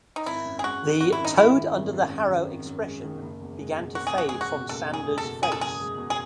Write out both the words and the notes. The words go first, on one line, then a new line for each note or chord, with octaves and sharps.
The toad-under-the-harrow expression began to fade from Sanders's face.
D#4
G#1 E4
F#2
G#4
G#3 F#4
D#3
G#1 F#4
E4
F#2
D#4
G#3 E4
D#3
G#1
F#2
G#3
D#3
G#1
F#2
G#3
D#3
F#1
E2
G#3
B2
F#1 F#4
G#4
E2 F#4
G#3 G#4
F#4
B2
F#1 A4
E2
G#4
G#3
A4
B2
F#1 G#4
A4
E2 G#4
G#3
B2
G#4